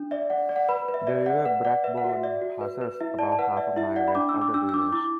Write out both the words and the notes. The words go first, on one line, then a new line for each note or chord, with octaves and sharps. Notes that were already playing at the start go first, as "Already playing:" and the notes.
The River Blackbourne passes about half a mile west of the village.
Already playing: D4
D5 E5
D5 F#5
D5
F#5
B4 B5
B4
E5
D5 E5
D5 F#5
B4 F#5
D5 F#5
B4 E5
F#5
F#4
E5
D5 E5
F#4
B4
B4
E4 E5
D5 A5
A5
B4 F#5
D5 E5
E4 E5
D5 F#5
B5
D4 D6
E6
D4
D6
D4 E6
E6
D4 D6
E4 D6